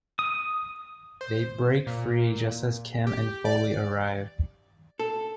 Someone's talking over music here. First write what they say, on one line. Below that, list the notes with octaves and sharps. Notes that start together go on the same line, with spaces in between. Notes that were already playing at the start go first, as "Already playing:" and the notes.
They break free just as Kim and Foley arrive.
D#6
C5
A#2
G4
D5
A4